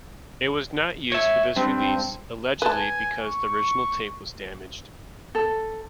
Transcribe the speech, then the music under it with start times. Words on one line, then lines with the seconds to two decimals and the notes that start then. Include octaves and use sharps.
It was not used for this release, allegedly because the original tape was damaged.
1.12 C#5 E5
1.56 G2 C4
2.62 B4 G#5 A5
3.22 C#6
5.35 A4